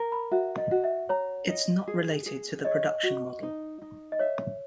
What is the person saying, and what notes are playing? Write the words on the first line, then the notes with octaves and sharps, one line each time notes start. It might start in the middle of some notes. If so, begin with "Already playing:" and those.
It's not related to the production model.
Already playing: A#4
B5
F#4 E5
D#5
F#4
E5
C#5 A#5
D#5
G#4
G#4
C#5 D#5
F#4
D#4
D#4
D#5
C#5 E5